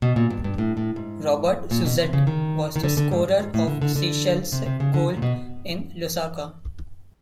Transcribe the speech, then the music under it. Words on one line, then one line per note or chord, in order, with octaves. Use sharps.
Robert Suzette was the scorer of Seychelles' goal in Lusaka.
B2
A#2
G2
G2
A2
A2
G#2
A#2
B2
C3
C#3
D#3
D#3
D3
D3
G#2
G2
G#2
A2
D3
D3
D3
C3
C3
C#3
D3
D#3
A#2
B2